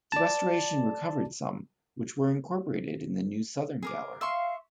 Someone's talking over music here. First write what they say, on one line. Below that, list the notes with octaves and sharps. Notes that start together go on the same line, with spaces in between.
The restoration recovered some, which were incorporated in the new southern gallery.
D5 A5
G#4 A#4 D6
E5 F5 C6 C#6